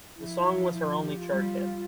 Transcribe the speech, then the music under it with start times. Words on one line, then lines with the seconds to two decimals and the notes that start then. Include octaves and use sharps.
The song was her only chart hit.
0.16 F3 E4
0.74 E4
0.89 F4
1.03 G4
1.17 F4
1.32 G3